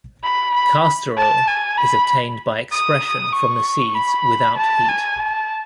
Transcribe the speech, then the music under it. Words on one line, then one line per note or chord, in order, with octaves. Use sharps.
Castor-oil is obtained by expression from the seeds without heat.
B5
B5
A5
G#5
B5
D#6
C#6
B5
A5
G#5
A5